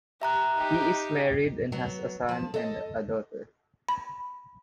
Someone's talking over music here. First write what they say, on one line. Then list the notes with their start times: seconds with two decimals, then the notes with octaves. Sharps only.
He is married and has a son and a daughter.
0.22 G4 E5 A#5 F#6
0.54 D#4 G4
1.72 F#3 B3
2.29 F3 A5
2.54 A4 D#5
3.89 B5